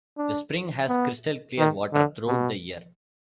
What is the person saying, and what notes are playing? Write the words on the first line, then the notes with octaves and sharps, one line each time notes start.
The spring has crystal clear water throughout the year.
D4
B3
D#3
D3
B2